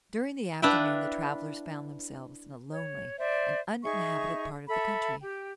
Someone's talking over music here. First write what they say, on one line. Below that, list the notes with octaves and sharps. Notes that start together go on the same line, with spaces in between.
During the afternoon the travelers found themselves in a lonely and uninhabited part of the country.
D4 E4 B4 E5 F5 G5
C#5
C5 D5 E5
D#4 G#4 E5 C#6
A4 E5 B5
G4 G5